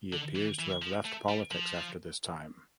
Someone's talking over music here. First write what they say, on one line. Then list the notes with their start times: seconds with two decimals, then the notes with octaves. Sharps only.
He appears to have left politics after this time.
0.13 D3
0.36 E3
0.59 E3
0.82 F3
1.05 A3
1.29 G3
1.52 F3